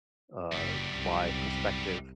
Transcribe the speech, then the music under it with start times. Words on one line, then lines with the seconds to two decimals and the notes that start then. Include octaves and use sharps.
uh, by perspective,
0.52 F#1 F#2 G3
0.96 C2